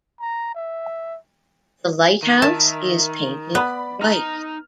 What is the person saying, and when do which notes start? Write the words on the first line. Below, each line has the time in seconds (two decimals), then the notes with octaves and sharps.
The lighthouse is painted white.
0.20 A#5
0.55 E5
2.23 D#3
2.42 A#4 E5 A5
3.55 B3 D5 B5
4.01 D#4 A#5 F6